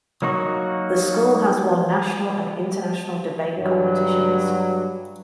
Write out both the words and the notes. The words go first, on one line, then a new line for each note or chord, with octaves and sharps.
The school has won national and international debate competitions.
F#3 A#3 D#4 F#4 C#6
G2 F#3